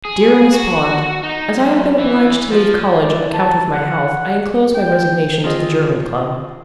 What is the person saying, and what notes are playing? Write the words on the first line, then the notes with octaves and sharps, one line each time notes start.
DEAR MISS POND: As I have been obliged to leave college on account of my health, I inclose my resignation to the German Club.
G#4
F#4
D#4
F#2
E3
F3
D5
A5
F#5
G5
F3 C4 F4 G#4 D#5